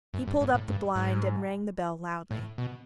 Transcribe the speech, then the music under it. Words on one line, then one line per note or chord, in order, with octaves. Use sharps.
He pulled up the blind and rang the bell loudly.
F#2
G2
G#2
A2
G2
G#2
A2
B2